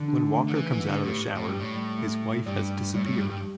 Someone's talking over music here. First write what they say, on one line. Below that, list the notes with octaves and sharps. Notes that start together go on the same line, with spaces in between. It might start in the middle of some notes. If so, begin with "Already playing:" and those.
When Walker comes out of the shower, his wife has disappeared.
Already playing: D3 E3
D4
A3
D3
E3 B4
E3
B3
D3
A2 G4
D5
A2
G2 G4
A2
G3
A3
A3
G2 D5
G4
A2 G3
A2
G2 G4
G2
G3